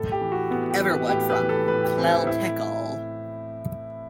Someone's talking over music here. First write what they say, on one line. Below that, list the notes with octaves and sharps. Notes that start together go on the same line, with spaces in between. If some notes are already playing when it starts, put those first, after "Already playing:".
Everwood from "Clell Tickle".
Already playing: A2 A4
G4
E3
F#4
A2 B3
G4
E3
B4
A2 G4
B4
E3
A4
A2 B4
G4
E3 C4
E4
A2 E4